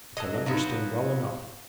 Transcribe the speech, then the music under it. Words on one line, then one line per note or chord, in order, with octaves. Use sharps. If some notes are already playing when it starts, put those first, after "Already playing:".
I can understand well enough.
F#3 A4 D#5
F3 F#3 B3 D4 D#4